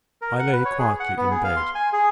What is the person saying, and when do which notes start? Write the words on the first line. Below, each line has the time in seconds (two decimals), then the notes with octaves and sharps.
I lay quietly in bed.
0.22 A#4
0.39 F#5
0.53 B4
0.65 C#5
0.79 G#4
1.00 F#5
1.17 B3
1.31 G#4
1.44 F5
1.56 C6
1.75 G#5
1.93 G#4